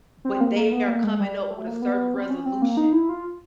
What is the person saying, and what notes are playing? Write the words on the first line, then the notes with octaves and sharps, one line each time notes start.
but they are coming up with a certain resolution
C4
A#3
A#3
B3
A#3
G#3
G3
A3
A#3
B3
C4
C#4
C4
A#3
D#4
E4
F4